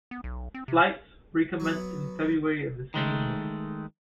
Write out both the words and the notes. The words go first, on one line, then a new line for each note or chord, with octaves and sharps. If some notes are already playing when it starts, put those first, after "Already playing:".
Flights re-commenced in February of the same year.
B3
B1
C4
C3
F#3 B3
D#3 G#3 A3